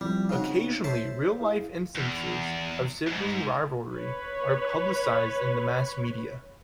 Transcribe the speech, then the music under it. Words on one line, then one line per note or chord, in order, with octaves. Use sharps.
Occasionally real life instances of sibling rivalry are publicized in the mass media.
F3 G3 C4 E4
C#3 C4 D#4 F#4
C5 C#5 E5 A5
E4 G#4 F5
E2
D2 G#2
B4 C#5